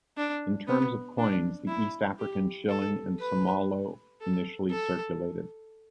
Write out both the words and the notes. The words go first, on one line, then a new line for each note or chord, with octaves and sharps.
In terms of coins, the East African shilling and somalo initially circulated.
D4
B3
D4
E4
G4
A4
B4
A4
A4